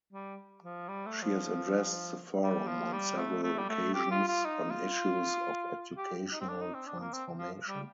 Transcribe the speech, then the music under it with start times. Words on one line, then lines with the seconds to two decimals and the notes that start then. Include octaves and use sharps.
She has addressed the Forum on several occasions on issues of educational transformation.
0.13 G3
0.64 F3
0.89 G3
1.06 A3
1.22 F3
2.42 G3
2.67 F3
2.93 G3
3.17 A3
3.43 A3
3.58 G3
3.69 A3
3.94 G4
4.11 F4
4.28 F4
4.45 D#4
4.70 F4
5.97 G4
6.32 D#4
6.41 C4
6.49 D4
6.61 D#4
6.74 C4
6.87 D4
7.00 A#3
7.13 C4
7.38 F3
7.68 G3